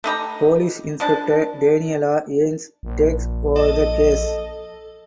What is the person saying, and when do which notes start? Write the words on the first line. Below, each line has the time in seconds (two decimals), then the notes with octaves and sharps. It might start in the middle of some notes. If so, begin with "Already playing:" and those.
Police inspector Daniela Yanes takes over the case.
0.04 A3 D#4 G4 A#5
1.00 F3 D4 A5
2.83 A#1
3.56 A4 D#5